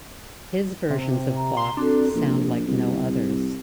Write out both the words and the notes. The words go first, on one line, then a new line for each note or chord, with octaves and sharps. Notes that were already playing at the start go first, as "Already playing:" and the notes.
His versions of Bach sound like no others.
C3
A#5
C6
C4 D4 F#4 A4
A#1
C2